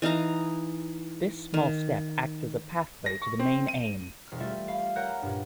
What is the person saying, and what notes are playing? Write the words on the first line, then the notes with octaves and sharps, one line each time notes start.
This small step acts as a path way to the main aim.
E3 D#4 F5 A#5
D#3
A#6
C#6
C4
D#7
E1 F6
G3 A3 F4 E5 A6
F5 B5
A#4 C#5 F#5 A#5 F#6 G6
G2 A#2